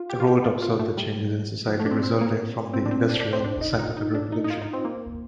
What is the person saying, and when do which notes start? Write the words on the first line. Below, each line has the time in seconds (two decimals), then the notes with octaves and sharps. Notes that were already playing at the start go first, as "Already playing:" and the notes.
Rolt observed the changes in society resulting from the industrial-scientific revolution.
Already playing: F4
0.10 G4
0.20 F4
0.27 G4
0.45 F4
0.62 F4
0.79 A3
0.97 G3
1.68 F3
1.80 A3
1.86 D4
1.91 C4
2.03 C4
2.21 A#3
2.73 C4
2.86 D4
2.91 C4
3.09 D4
3.20 D4
3.33 C4
3.44 D4
3.61 D#4
3.73 F4
3.79 D#4
3.97 D#4
4.15 D4
4.32 D#4
4.44 D#4
4.50 F4
4.62 D#4
4.73 C4
4.85 A#3